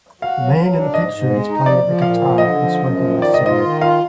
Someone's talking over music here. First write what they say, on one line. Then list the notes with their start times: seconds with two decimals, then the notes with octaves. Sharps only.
The man in the pink shirt is playing the guitar and smoking a cigarette.
0.22 F#4 F5
0.40 F#3
0.58 F#3
0.75 D4
0.94 G#2 D#5
1.12 G#2
1.29 G#3
1.48 D#4
1.66 F3 D5
1.84 F3
2.02 A#2 F5
2.20 F3
2.38 D3 D#5
2.56 F3
2.74 F#2
2.92 F3
3.10 D#3
3.22 D5
3.28 G#2
3.34 D#5
3.46 F4 D#5
3.64 D#3
3.81 F4 F5